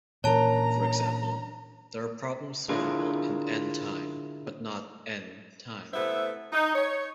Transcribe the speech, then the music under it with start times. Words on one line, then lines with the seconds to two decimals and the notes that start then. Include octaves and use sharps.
For example, there are problems solvable in "n" time but not "n" time.
0.24 A#2 E3 C#4 D4 A#4 C#5 A5 A#5
2.69 D3 D4 E4 F4 G#4 A#4
5.94 C3 A3 B3 E4 C5 E5
6.53 D#4
6.75 C#5